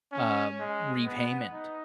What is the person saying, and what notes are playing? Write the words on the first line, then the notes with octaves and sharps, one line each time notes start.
um, repayment.
C#4
G#3
B3
D#4